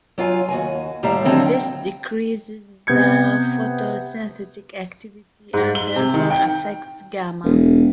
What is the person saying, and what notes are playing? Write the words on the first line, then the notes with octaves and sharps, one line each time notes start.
This decreases the photosynthetic activity and therefore affects gamma.
F#3 F4 F5 G#5
D#2 F#4 G#5
D#2 A2 G3 E5 F5 A#5
D3 D#3 F3 F#3 C4 E4
G5
C3 B3 G6 G#6 C#7
G#2
G7
C3
D#3
G5
E1